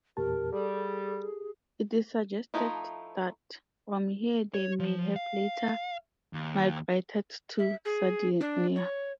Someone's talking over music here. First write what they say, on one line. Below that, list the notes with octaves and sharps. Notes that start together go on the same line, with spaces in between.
It is suggested that from here they may have later migrated to Sardinia.
E2 A#2 G4 A#4 A5
G3 G#4 A4
F3 F#3 A3 D#4 E4
C#5
F3
F5
D#2
E5
G#4
D4
C#5